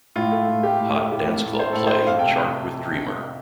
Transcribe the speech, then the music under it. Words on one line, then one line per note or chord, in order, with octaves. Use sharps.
Hot Dance Club Play chart with "Dreamer".
A2 F4
A3
A2
A3 G4
A2
A3
A2 G4
A3
A2
A3 C5
A2 A4
C5
A3
F2 F5
G5
C3